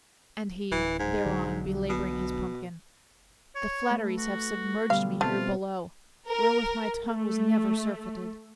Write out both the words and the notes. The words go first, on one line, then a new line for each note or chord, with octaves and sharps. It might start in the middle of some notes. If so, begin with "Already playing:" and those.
And he thereon, belabouring his pumpkin: "The flatteries have submerged me here below, Wherewith my tongue was never surfeited."
D1 E3
G#2
B1 D3 F#3
B2
C#5
A3 A4 B4
F#4
B2 D3 G3 F5
B2 A3 C4 F4
A#4
A3